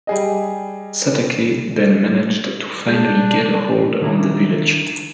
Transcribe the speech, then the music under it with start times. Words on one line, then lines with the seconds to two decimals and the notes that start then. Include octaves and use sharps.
Satake then managed to finally get a hold on the village.
0.07 G3 G#4 D#5
2.88 G#3 D4 G6
4.02 D#3 D4 E4 A#4